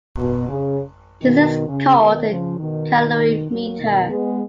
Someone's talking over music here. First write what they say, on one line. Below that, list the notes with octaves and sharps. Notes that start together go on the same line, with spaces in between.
This is called a calorimeter.
B2
C#3
B2 D#3
C#3
B2 D#3
C#3 F3
B2 D#3
F#3 A#3
B2 D#3
G#3 B3